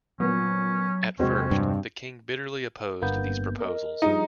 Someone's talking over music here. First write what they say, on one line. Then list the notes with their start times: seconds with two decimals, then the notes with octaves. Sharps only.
At first, the King bitterly opposed these proposals.
0.20 A#2 F3 F#3 B3 C#4
1.19 E2 C3 G#3 C4 C#4 F#4
1.51 G2
3.02 G1 G2 A#3 B3 G6
3.60 A#4 D#5
4.02 G2 F3 D#4 G#4 D#6